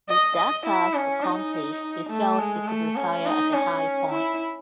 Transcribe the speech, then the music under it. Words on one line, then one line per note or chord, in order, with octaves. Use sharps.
With that task accomplished he felt he could retire at a high point.
D#5
D#5
E4
C#4
D#4
A3
G#3
A3
C#4
D#4
C#4
E4